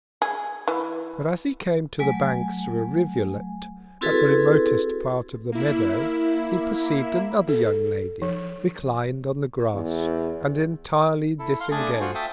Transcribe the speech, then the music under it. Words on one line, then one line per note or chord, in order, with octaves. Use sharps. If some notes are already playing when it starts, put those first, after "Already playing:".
But as he came to the Banks of a Rivulet, at the remotest part of the Meadow, he perceiv'd another young Lady, reclin'd on the Grass, and entirely disengag'd.
G#4
E3
F#3 A3 G#5
C4 E4 F#4 G#4 A4 B4
A#3 E4
A4
F3
E2
E4 A4
F5 C6
A3 D4 D5 G#5 D#6
F4 F#4 C5
E5 G5 A5 D#6